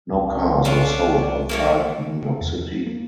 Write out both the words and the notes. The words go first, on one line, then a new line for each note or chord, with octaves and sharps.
No cars were sold outside New York City.
C2
C#4 D4 F4
F#3 A3 A#3
E2
F3
C4
A#3